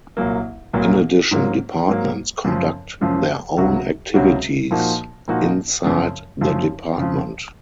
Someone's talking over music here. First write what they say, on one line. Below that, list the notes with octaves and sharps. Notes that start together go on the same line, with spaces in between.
In addition, departments conduct their own activities inside the department.
C2 A#2 F#3 A#3
C2 A#2 F#3 A#3
G#2 F#3 A#3
G#2 F#3 A#3
F#2 C#3 F3
F#2 C#3 F3
C#2 C3 F#3 C#4 F#4
C#2 C3 F#3 C#4 F#4
A#2 F3 A#3 D#4 F#4
A#2 F3 A#3 D#4 F#4
F#2 C#3 F3
F#2 C#3 F3
F2 C#3 F3